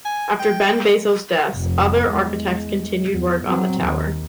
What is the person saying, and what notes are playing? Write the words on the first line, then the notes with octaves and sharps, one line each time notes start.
After Ben Baso's death, other architects continued work on the tower.
G#5
G5
F1 F2
E2 G#3
E2
F#3 C4
D#2